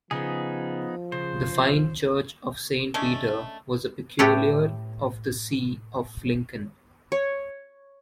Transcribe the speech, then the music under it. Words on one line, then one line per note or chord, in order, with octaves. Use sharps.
The fine church of Saint Peter was a Peculiar of the see of Lincoln.
C#3 F3 B3 D#4 G#4
C#3 C5
G#3 A3 C#4 D4
A2 G4 A4 B4 C#5
C#5